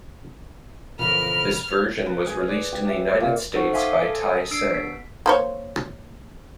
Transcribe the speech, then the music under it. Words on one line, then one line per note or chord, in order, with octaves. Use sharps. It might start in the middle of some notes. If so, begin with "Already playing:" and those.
This version was released in the United States by Tai Seng.
F2 A#2 C#3 E3 A#4 B5 F6
B4
G#4
D5
G4
E5
A#2
D#4 A4 C5 F#5 C#6
E5 F5 G#5 C6 D6 D#6
A4 G#5
D#6
D4 E6 C7 D7
B3 B6
A#3 C5 C#5